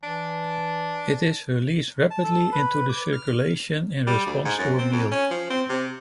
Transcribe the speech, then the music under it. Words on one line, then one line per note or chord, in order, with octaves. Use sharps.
It is released rapidly into the circulation in response to a meal.
E3 D4
A5
A4
B4
D6
F6
G3
D2
G#2
F#2
C4
F2
C#4
F3
C4
C3